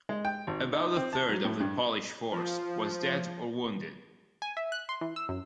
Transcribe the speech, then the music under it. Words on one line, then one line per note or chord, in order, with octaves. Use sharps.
About a third of the Polish force was dead or wounded.
G#3
G5
G#1
D#4
C4
A5
F#3
A2
G2
F3
G#5
E5
F#6
C6
E3
E6
F#2